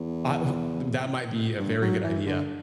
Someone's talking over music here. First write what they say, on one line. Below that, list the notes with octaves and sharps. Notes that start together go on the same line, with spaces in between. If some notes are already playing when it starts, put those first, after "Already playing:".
I, uh The that might be a very good idea.
Already playing: E2
G2
F#3
E3
D3